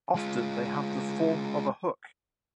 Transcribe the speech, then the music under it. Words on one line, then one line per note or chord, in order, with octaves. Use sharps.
Often, they have the form of a hook.
G#3 F4